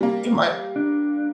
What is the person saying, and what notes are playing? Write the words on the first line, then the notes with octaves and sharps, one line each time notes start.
It might
G3 A#3
D4